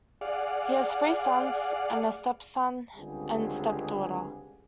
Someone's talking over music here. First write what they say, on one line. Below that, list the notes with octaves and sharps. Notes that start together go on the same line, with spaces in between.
He has three sons, and a stepson and stepdaughter.
G#4 D5 F5 F#5
C#2 D3 G3 C4 G4 G#4